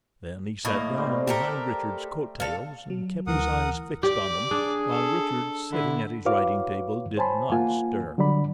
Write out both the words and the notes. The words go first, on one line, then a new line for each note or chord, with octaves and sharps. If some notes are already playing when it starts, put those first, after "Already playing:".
Then he sat down behind Richard's coat-tails and kept his eyes fixed on them, while Richard, sitting at his writing-table, did not stir.
A2 A3 A#3 A#4 D#5
G3 A3 C5
G4 A4 A#4
A4 F5
F#3
D2 E3 A#4 F#5 D#6
G4 D5
D4 G#4
A4
D3 E4
E4 F#4 B4 C#5 F5 D6
C5 C#5 G#5 A5 B5 C6
A#3 F4 F#5 G#5
D3 F#3 G3 D5 B5